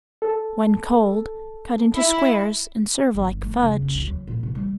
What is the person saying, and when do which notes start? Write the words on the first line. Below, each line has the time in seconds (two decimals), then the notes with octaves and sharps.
When cold, cut into squares and serve like fudge.
0.22 A4
1.97 E4
3.15 G1
3.43 A3
3.62 C#3
3.82 C#4
3.94 D2
4.07 F#3
4.27 A#2
4.43 C3
4.55 G3